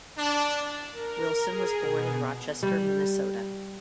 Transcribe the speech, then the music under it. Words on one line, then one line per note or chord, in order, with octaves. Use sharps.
Wilson was born in Rochester, Minnesota.
D4
A#4
G#4
B2
G3